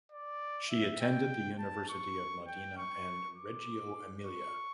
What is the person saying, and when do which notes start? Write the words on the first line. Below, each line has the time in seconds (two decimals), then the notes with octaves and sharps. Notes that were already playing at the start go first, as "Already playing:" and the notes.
She attended the University of Modena and Reggio Emilia.
0.12 D5
0.70 E5
1.01 G5
1.59 A5
1.89 C#6
2.47 G5
2.78 C#6
3.36 D6
4.25 C#6